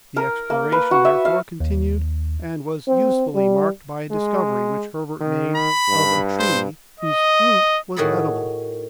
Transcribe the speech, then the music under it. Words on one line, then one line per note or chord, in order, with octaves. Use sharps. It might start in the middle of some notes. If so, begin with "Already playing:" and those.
The exploration, therefore, continued, and was usefully marked by a discovery which Herbert made of a tree whose fruit was edible.
A#4
A#3
B4
F#4
E5
F5
D#2
C4
G3
G#3
D#3
B5
G2
C5
D#5
A2 D#3 F#4 G#4 A4 B5